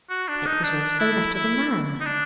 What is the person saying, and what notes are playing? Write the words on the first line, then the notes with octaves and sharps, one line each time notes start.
It was also that of a man.
F#4
D4
D#4
D4
E4
E4
D#4
D4